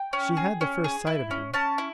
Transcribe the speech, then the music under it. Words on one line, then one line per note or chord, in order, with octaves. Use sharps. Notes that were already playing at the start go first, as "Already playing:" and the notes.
She had the first sight of him.
Already playing: G5
C#4
G#4
C#4
G#4
E4
C#4
C#4 A5
E4